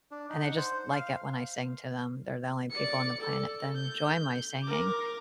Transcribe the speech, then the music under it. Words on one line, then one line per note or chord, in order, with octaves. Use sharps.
and they just like it when I sing to them, they're the only people on the planet that enjoy my singing
D4
D#4
F#5
C5
F5
D5 C#7
A4
G6
A#4 D6